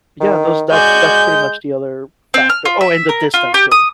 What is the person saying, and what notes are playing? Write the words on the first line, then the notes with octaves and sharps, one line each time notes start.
Yeah, those that's that's pretty much the other factor. Oh, and the distance too.
D#3
G#3 F#4 D5 G#5 G6
C4
F6
F4
E5
A#4
F4
G4
D#6